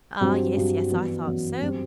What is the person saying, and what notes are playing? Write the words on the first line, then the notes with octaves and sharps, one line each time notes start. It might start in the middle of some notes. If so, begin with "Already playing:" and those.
Ah, yes, yes; I thought so.
G2 F#3 C4 G4
G2 F#3 C4 G4
F#2 E3 B3 F#4
F#2 E3 B3 F#4
G2 F#3 C4 G4